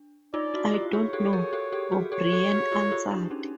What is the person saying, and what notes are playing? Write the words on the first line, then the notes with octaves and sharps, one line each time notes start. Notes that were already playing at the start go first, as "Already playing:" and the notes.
"I don't know" O'Brien answered.
Already playing: D4
D#4 F4 D5
E4 F#4
F4 G4
F#4 G#4 C#5
G4 A4
G#4 A#4
G4 A4
G4 A4
F#4 G#4
G4 A4 C#5
G4 A4
F#4 G#4
F4 G4
F4 G4
D4 E4
C#4 D#4